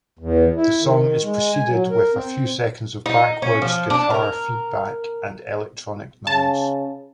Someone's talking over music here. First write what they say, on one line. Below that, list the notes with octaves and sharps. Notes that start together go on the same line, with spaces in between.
The song is preceded with a few seconds of backwards-guitar feedback and electronic noise.
E2
E4
D#3
G#3
G#5
F#3
A#4
C4
D#4
C#4
F3
D4
A#4
C#3 A5